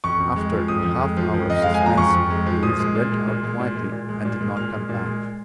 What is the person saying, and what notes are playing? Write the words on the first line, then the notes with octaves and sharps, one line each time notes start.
After a half-hour of suspense, Louise went out quietly, and did not come back.
F2 C#6
F2
G#3
F3
F2 D#6
F2
G#3
F3
F2
F2 D#5
G#3 F5
G#5
F3 A#5
F2 C#6
F2
G#3
F3
A#2 D#6
G#3
A#2
G#3
A#2
G#3
A#2
G#3
A#2
G#3
A#2
G#3
A#2 F6
G#3
A#2
G#3